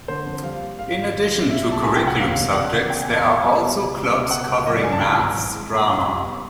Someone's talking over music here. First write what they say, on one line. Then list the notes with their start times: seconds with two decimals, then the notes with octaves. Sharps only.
In addition to curriculum subjects, there are also clubs covering Maths, Drama.
0.08 D3 C5
0.26 F2
0.43 G3 F5
0.62 A#3
0.79 G#2 F5
0.96 G#1
1.14 D#3
1.31 G3
1.49 B2 E5
1.67 C2 A5
1.83 G3 G#5
1.96 G5
2.02 C2 F#5
2.20 D#2 F5
2.37 E1
2.55 C#3 F#5
2.72 E1
2.90 C#3 G5
3.02 G#5
3.08 E2
3.13 A5
3.25 E3 B5
3.43 G3
3.61 B2
3.79 C#2
3.95 G#3
4.13 C#2
4.31 B2 F#5
4.48 C#2
4.66 F#3 D#5
4.75 D5
4.84 C#2 G#5
4.92 A5
5.01 G2 A#5
5.18 G#1
5.37 E3
5.54 G#3
5.72 A#2 A#5
5.89 C2
6.07 G3
6.24 B3